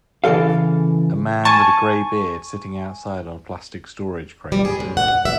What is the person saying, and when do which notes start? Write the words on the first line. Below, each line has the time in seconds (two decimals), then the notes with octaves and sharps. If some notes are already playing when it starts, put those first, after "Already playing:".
A man with a gray beard sitting outside on a plastic storage crate.
0.24 C#3 E3 A3 A4 F5
1.45 G#5 A5 C#6
4.52 G3
4.65 G#4
4.80 F#2
4.97 F#5
5.25 E5